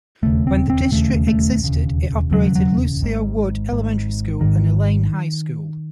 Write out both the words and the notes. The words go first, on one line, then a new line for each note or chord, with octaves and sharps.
When the district existed, it operated Lucilia Wood Elementary School and Elaine High School.
E1 D#2 C#3 A3
C4
C4
E1 D#2 C#3 A3
A3
E1 D#2 C#3
E1 D#2 C#3 F#3
F#3
G#1 G#2
G#1 G#2
G#1 G#2 D#3